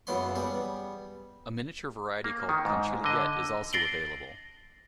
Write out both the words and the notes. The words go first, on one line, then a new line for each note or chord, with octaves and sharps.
A miniature variety called "conchigliette" is also available.
F#2 C#3 E3 B3 C#5 C6
G3 B3 G#4
A#3
D#3
G#2
D3 D#5
A6 A#6 C7 D7 F#7 G7